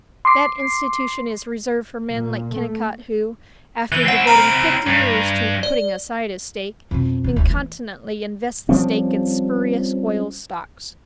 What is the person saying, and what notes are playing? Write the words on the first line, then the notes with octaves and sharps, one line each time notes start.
That institution is reserved for men like Kennicott who, after devoting fifty years to "putting aside a stake," incontinently invest the stake in spurious oil-stocks.
C6 D6 C7
A#2
A3
E3 F#6
C4 E4 F#5 C7
A#5 F6 C7
G2
D5
F2 B2
D#3
E1 D2
E3
F3 G3 C4 C#4